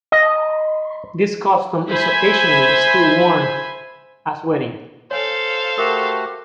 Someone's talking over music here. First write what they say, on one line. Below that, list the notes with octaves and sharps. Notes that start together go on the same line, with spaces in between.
This costume is occasionally still worn at weddings.
D#5
C5 E5 G#5 B5
A4 C5 C#5 F5 G#5
A3 F#4 G4 A#4